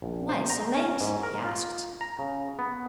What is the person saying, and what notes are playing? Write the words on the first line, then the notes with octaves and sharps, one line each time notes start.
"Why so late?" he asked.
A#1
C5
A#5
C#4
G#2
A#4
F4
A#5
C#3
B3